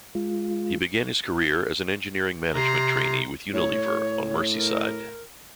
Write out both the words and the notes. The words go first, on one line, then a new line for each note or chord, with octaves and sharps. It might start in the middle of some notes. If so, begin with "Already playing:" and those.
He began his career as an Engineering Management Trainee with Unilever on Merseyside.
G#3 F4
C3 A#5 C6
A2 C#5
A#4